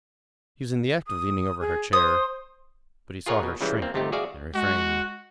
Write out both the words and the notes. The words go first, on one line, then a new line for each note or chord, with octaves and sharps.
He was in the act of leaning over her chair, but he saw her shrink, and refrained.
D#6
G#4
C5 D#6
F4 G#4 A#4 C#5 F#5 G#5
B2
C#2 C#3 E3 G3
A#3 C4
G1 C3 A3 D#4 G4
F#4 G#4 D5 E5 F5
G#3 F#4